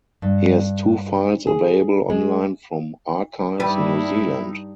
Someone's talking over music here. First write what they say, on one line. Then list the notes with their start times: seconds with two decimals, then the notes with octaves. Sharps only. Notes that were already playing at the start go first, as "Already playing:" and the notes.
He has two files available online from Archives New Zealand.
0.22 G2
1.47 G#4
2.10 G#3
3.60 G2 G3 D#4 E4 B4